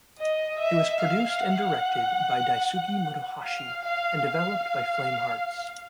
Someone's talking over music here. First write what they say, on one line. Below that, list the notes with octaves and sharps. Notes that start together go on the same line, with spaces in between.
It was produced and directed by Daisuke Motohashi and developed by Flame Hearts.
D#5
E5
F5
F#5
F5
F5
F5